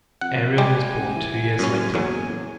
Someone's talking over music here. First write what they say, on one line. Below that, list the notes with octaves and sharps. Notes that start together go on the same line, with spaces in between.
Ariel was born two years later.
F2 F#5
G3 G#3 G4 G#5
A1
E3
F#1 F#2 C#4
E2 F#3